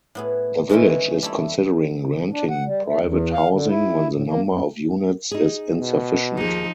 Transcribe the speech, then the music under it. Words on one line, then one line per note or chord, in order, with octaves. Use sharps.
The village is considering renting private housing when the number of units is insufficient.
A2 B3 G#4
E3 G#3 C#4 D#4 E5
G3 A3 E4
D4
F#5
G3
A3
E2
F5
D3
E4
A2
A#3
F#2
D#4 G#4
B2
D#2 F3 D#4 G#4